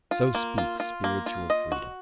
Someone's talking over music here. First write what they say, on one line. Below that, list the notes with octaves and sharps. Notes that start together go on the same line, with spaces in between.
So speaks "spiritual freedom."
F4
A#3
F4
F4
A#3
F4
D#5
F#4